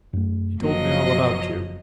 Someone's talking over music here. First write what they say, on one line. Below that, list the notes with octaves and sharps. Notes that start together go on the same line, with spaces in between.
He told me all about you....
F#2 A3
F#1 F3 F#3 A#3 D4 D#5